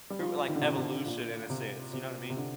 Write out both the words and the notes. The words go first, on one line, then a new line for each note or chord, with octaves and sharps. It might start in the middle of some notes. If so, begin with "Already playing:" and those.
through, uh, like, evolution in a sense, you know what I mean?
G3
F3
D#3
D3
C3
D3
C3
A#2
C3
C3
C3
D3